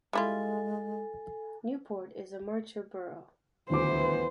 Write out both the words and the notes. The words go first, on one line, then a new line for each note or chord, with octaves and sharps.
Newport is a marcher borough.
G3 G#3 E4 F4 A4 G#5
D#1 D2 E3 B3 C5 D6